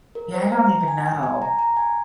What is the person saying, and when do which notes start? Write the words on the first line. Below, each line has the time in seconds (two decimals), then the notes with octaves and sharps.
Yeah, I don't even know.
0.15 A#4
0.34 C5
0.52 A#5
0.88 G#5
1.06 G#5
1.23 G#5
1.42 A#5
1.59 A#5
1.77 G#5